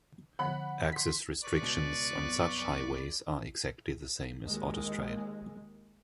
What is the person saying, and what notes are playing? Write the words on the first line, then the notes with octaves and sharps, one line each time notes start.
Access restrictions on such highways are exactly the same as autostrade.
D3 F3 B3 F#5 B5 F#6
C6 B6
B4 D5 C#6
C#2 B2
B1 F2 B3
D#2 G#3